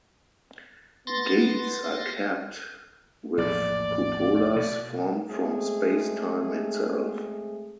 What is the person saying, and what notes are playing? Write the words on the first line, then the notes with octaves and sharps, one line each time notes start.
Gates are capped with cupolas formed from Space-time itself.
B3 C6 A6 A#6
A#1 E2 A2 D5
B2
G#3 A3 C4 G#4